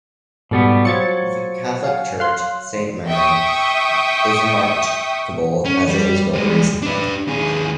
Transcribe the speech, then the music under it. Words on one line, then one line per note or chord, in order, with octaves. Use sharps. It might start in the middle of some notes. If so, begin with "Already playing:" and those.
The Catholic Church "Saint Marien" is remarkable as it was built recently.
G#2 B2 G3 B3 A4 A6
F#3 F4 C5 G#6 A6 C#7
F5 F#5 G#5
F5 C6 F#6
E5 G5 C#6 D#6
C#4
G3
G3 G#3
D4 B4
D#2 G#4